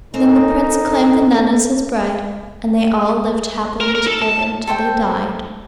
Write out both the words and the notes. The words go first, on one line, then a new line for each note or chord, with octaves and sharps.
Then the prince claimed the nun as his bride, and they all lived happily together till they died.
F#2 C4 D#4 A4
A#4
A#4
A4
A5
A4 C5 G5